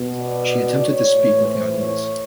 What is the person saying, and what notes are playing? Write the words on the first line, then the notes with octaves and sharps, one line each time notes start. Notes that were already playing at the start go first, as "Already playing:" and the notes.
She attempted to speak with the audience.
Already playing: B2
D5
C#5
A2 E3
C5
C#5